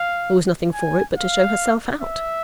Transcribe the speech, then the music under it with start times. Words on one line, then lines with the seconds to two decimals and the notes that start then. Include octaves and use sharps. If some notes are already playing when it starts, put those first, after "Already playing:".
There was nothing for it but to show herself out.
Already playing: F5
0.74 G#5
1.17 F5
2.02 E5